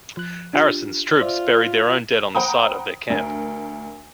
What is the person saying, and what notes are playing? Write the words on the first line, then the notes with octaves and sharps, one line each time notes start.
Harrison's troops buried their own dead on the site of their camp.
F3 F#6
D4 F4 G4
F4 C5 D5 E5
C5 F#5 G5 A#5 B5 D#6
D2 A#4